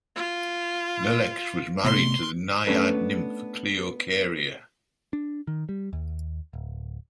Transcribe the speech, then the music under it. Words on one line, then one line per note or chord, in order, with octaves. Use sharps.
Lelex was married to the Naiad nymph Cleocharia.
F4
C3 A3 B3 C6
A3 B3 C#4 D4 A4 B4
D4
D#3
G3
D#2
D1